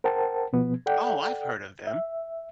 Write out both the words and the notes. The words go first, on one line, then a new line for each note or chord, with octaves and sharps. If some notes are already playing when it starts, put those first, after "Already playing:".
Oh, I've heard of them.
A#4 C5 F#5 G5 A5
B2 F3 B3
A4 D5 F#5 G5
E5